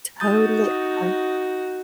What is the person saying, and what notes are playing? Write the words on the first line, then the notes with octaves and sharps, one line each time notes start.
Totally, I
D#4 F#4 D#6 G6 A6